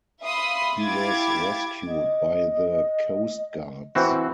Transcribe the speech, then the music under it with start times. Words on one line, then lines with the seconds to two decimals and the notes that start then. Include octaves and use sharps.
He was rescued by the coastguards.
0.24 E5 F5 B5 C6 D#6
0.80 E4 G4 F5 D6 G#6 A6
1.87 D#5
3.95 E3 C4 F#4